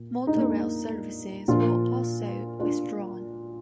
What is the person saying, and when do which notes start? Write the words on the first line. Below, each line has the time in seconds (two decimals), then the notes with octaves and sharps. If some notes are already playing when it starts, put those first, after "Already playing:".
Motorail services were also withdrawn.
Already playing: A#2
0.27 D#4
0.35 A#3 D4
1.48 A#2 F3 D4 F4
2.60 D4 F4